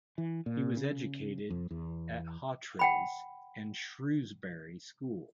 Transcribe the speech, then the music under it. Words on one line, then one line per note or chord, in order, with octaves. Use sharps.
He was educated at Hawtreys and Shrewsbury School.
E3
A#2
C#3
F2
E2
F#5 G5 B5